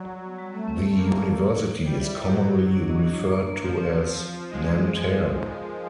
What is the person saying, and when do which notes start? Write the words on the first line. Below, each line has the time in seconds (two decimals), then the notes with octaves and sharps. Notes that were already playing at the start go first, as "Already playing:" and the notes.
The university is commonly referred to as Nanterre.
Already playing: F#3 D5
0.08 G3
0.23 B3
0.38 G3
0.53 A3 C4
0.68 C4
0.82 C4
0.97 A3 A#3
1.12 A4
1.26 E4
1.41 D#4
1.55 C#5
1.70 D#4
1.85 G3 C5
2.00 E5
2.14 E4
2.29 F#3 G4
2.44 C#5
2.59 E4
2.74 D4
2.88 D#5
3.03 D4
3.18 D4
3.32 A#3
3.47 A#3
3.62 F3 C4
3.76 C4
3.91 F4
4.06 F3 F4
4.21 C4
4.36 F4
4.50 G#3 D#4
4.65 D#4
4.79 D#4
4.94 B3
5.09 B3
5.24 D#4
5.39 D#5
5.53 A#4
5.68 F4